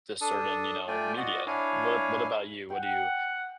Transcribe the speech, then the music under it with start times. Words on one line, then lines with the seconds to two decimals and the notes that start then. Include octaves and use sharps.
this certain, you know, media. What a what about you? What do you
0.21 D4 A4 A5 D#6
0.88 A3 F4 D5 G5 G#5
1.17 F4 F#4 D5 D#5 F#5
1.47 D4 E4 C#5 F5 G#5
2.70 F#5 G5